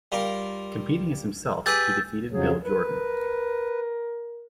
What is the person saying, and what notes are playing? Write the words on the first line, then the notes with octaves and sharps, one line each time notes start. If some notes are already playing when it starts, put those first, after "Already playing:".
Competing as himself, he defeated Bill Jordan.
G3 F4 A#4
G4 G#4 B4 E6 G6 A6
F2 C#3 F#3 G#4
A#4 B4